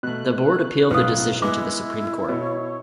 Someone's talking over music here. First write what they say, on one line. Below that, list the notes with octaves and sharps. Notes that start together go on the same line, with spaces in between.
The Board appealed the decision to the Supreme Court.
B2 A3 F#6
B1 A2 B4 F5 D#6
G#3 B3 E4 D6
B2 C#5